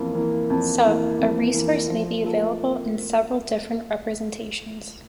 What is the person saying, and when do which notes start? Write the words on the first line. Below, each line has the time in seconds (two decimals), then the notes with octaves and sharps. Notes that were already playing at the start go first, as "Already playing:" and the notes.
So, a resource may be available in several different representations.
Already playing: F2 E3 A#3
0.15 E3 A#3
0.50 F2
0.84 E3 A#3
1.19 F2
1.53 E3 A#3
1.88 F3
2.23 A#3 F4 A4